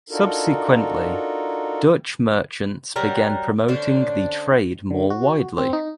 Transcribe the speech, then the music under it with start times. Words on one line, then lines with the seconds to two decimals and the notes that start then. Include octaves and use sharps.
Subsequently, Dutch merchants began promoting the trade more widely.
0.10 D4 D#4 F4 F#4 A4 A#4
2.96 F#3 G3 A#4 F#5
3.68 D3 C#4 D4 C5
4.91 D3
5.10 F#4
5.58 C4
5.73 D#4